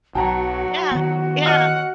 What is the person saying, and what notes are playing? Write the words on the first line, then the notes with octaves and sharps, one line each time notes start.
Yeah. Yeah.
B1 F#3 F#4 G5 A5 A#5
D#3 B3
D#5 F#5 F6 D#7